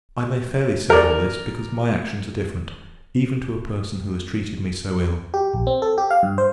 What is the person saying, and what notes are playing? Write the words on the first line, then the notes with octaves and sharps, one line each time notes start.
I may fairly say all this; because my actions are different, even to a person who has treated me so ill.
A#4 D5
G4
A#1
C4
A4
G4
F5
G2
C5